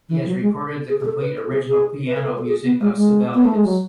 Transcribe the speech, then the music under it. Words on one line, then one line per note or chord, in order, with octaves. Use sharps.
He has recorded the complete original piano music of Sibelius.
E3
F#3
G#3
G#4
G#4
A4
B4
A4
G#4
G#4
B4
A4
B4
A4
G#4
B3
G#3
G#3
B3
A3
G#3
F#3